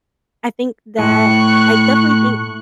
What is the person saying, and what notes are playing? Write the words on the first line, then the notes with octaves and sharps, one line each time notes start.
I think that I definitely think
A2 C#6 F#6